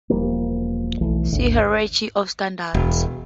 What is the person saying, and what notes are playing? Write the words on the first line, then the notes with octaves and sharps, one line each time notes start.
See Hierarchy of Standards.
E1 F3 G3 A#3
B1 E3 A3
G#1 D2 D3
E1